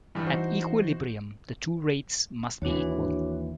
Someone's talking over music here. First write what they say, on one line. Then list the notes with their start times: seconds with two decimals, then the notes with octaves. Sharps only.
At equilibrium, the two rates must be equal.
0.15 G2 E3 G3
0.26 D#4 F#4 C5
2.62 D#2 E3 D4 F#4 C#5